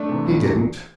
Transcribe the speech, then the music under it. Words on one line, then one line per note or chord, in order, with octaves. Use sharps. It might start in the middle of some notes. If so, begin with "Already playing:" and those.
He didn't.
Already playing: A3 D4
C3 E3
C2
C3 E3